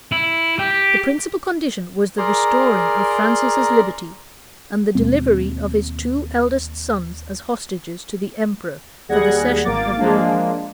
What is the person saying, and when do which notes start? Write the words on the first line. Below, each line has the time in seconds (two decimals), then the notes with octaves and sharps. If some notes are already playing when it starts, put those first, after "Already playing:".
The principal condition was the restoring of Francis's liberty, and the delivery of his two eldest sons as hostages to the emperor for the cession of Burgundy.
0.12 E4
0.59 G4
2.18 G#4 A#4 D5 A#5 C6
4.95 D#2 B2 G#3 C4
9.09 D#2 G3 G#4 F#5 G#6 A#6
9.65 G#1 A#3 D6 A6
9.98 F3 G#3 A#3 D4